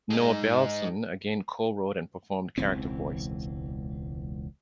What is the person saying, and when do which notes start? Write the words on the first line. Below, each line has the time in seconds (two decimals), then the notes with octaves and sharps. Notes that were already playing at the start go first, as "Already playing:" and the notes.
Noah Belson again co-wrote and performed character voices.
0.10 G#3 D#4
2.58 E1 C#2 E3 C4